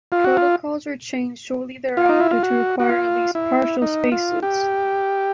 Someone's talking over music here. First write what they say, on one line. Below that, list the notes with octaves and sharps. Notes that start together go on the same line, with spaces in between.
Protocols were changed shortly thereafter to require at least partial spacesuits.
F4
F#4
F4
F4
D#4
E4
F4
F#4
F#4
F4
E4
D#4
F4
G4